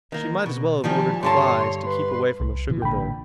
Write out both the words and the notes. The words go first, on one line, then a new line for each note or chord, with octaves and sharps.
She might as well have ordered flies to keep away from a sugar-bowl.
D#3 A#3
B2
D#3 F3 G3 G#5 A5
G2 D3 C#5 A5 C6
B4 C6
C2
A2 C#3 E3
A1 A#2 D3 G5 B5